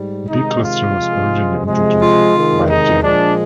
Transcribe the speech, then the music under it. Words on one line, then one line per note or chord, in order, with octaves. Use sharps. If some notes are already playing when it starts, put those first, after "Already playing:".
Biclustering was originally introduced by J.
Already playing: G#2 G3
C3 D#3 G#3 D#4
F4
C3 F3 G#3
C3 F3 G#3
F4
C3 D#3 G#3
D#4
A#2 F3 G#3 D4